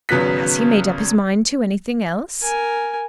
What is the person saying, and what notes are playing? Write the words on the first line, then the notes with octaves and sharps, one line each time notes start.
"Has he made up his mind to anything else?"
G#1 C#3 F#3 B3 F#6 B6
A#4 G#5